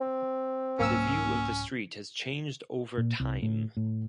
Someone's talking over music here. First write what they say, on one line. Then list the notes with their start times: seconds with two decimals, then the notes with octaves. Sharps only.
The view of the street has changed over time.
0.01 C4
0.79 C2 G#2 F#3 A#3 C#4 E6
2.98 A#2
3.20 C2
3.43 A2
3.77 A2